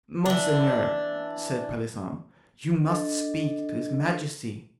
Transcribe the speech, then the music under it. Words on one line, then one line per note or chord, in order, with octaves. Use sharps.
"Monseigneur," said Pelisson, "you must speak to his majesty."
E3 D4
D4 A4 D#5